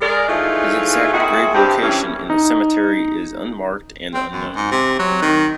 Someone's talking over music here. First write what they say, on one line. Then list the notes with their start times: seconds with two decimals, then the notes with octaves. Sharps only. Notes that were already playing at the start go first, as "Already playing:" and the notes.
His exact grave location in the cemetery is unmarked and unknown.
0.01 G#3 A#4 D5
0.29 E3 F3 A3 D#4 F4 G#4
1.13 A#2 C4 E4 F#4 G#4
1.55 G2 C4 G4
1.82 G2 E3 C#4
2.30 D#4
4.14 C4
4.32 F#2
4.56 G#2
4.71 C3
4.99 F#3
5.22 D#3